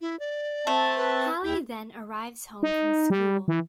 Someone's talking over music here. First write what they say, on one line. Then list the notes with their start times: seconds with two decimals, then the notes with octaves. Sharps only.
Hally then arrives home from school.
0.01 E4
0.19 D5
0.67 A3 C4 A5
0.97 B4
1.43 D#2 E4 G5
2.63 D#4
3.10 G3
3.48 E3